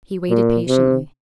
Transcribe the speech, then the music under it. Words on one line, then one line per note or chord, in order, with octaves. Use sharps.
He waited patiently.
A#2
C3